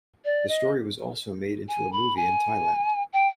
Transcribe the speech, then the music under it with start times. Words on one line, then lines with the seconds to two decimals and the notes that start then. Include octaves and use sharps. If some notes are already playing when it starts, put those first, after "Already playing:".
This story was also made into a movie in Thailand.
0.24 D5
0.48 D#5
1.68 G#5
1.92 B5
2.17 G#5
3.13 G5